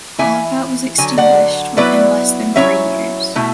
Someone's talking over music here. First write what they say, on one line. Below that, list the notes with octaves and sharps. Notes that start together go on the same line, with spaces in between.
All of that was extinguished within less than three years.
E3 B3 E4 E5 G#5
D3 F#3 G#5
D5 F#5
F#3 B3 E4 B4 D5
F#3 C#4 E4 C#5 E5
B2 A3 E4